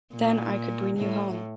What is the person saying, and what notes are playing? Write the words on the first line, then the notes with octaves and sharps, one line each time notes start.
Then I could bring you home.
A#2
A2